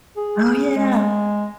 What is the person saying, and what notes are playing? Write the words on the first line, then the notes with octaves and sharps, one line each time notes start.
Oh yeah.
G#4
G#3